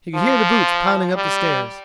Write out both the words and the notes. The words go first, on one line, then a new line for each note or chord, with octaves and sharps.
He could hear the boots pounding up the stairs.
F3
G3